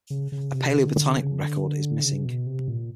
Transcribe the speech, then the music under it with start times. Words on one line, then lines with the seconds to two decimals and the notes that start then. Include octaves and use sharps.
A Paleobotanic record is missing.
0.10 C#3
0.32 C#3
0.54 C3
0.74 D3
0.96 D3
1.18 C#3
1.39 D3
2.03 C#3
2.25 B2
2.47 C3
2.68 A#2